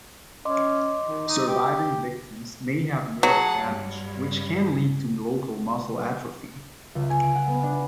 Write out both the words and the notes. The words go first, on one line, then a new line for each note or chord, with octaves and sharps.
Surviving victims may have nerve damage, which can lead to local muscle atrophy.
C#4 D#5 C6 D6
D#3
D#4
G4
F#3 G#4 F#5 A5
G2
C#2
G#5
D7
F#5
B3
D4